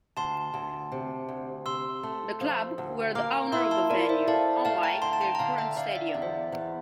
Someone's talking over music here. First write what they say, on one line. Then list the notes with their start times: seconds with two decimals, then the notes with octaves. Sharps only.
The club were the owner of the venue, unlike their current stadium.
0.17 D2 A5 C6
0.54 D2
0.92 C3
1.29 D2
1.66 C3 C6 E6
2.03 A3
2.41 F3
2.78 D2
3.15 A#3 D6 F6
3.52 E4 C6 E6
3.71 A5 C6
3.90 E4 A#4 D5
4.09 C5 E5
4.28 A4 D5 F5
4.65 A3 F5 A5
4.83 G5 A#5
5.02 D3 A5 C6
5.13 A5
5.21 G5 A#5
5.35 A#5
5.39 D3 F5 A5
5.58 E5 G5
5.77 D3 D5 F5
5.96 E5
6.09 D5
6.14 E2
6.22 C5 E5
6.52 E2